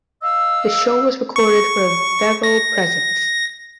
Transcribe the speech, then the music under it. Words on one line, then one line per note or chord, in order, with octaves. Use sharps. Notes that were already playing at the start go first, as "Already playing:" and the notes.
The show was recorded for a Vevo Presents.
D#5 F5 E6
C#6
A#6